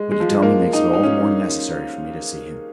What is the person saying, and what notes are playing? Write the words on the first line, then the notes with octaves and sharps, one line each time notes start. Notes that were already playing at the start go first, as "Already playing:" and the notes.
What you tell me makes it all the more necessary for me to see him.
Already playing: G#3
G#3
F3
G#3
A#3
D#4
D#4
C#4